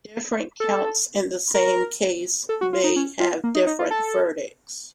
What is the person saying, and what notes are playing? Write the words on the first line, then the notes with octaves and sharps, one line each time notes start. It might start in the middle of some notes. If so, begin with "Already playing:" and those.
Different counts in the same case may have different verdicts.
A4
A#4
A4
F#4
F4
D#4
C#4
F4
A#3
D#4
D#4
F4
A4